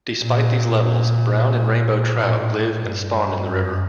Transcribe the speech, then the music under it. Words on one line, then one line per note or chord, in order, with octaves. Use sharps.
Despite these levels, brown and rainbow trout live and spawn in the river.
A#2
A2
G2
F#2